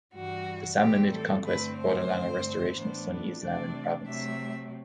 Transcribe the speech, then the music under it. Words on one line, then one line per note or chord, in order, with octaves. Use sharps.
The Samanid conquest brought along a restoration of Sunni Islam in the province.
G2 E3 G3 F#4
A2 E3 G3 C4 G4
A4
G2 D3 A3 C4 B4
C5
G2 D3 A3 C4
A2 E3 B3 D4
C3 E3 A3 D4 D5
C3 F#3 A3 E5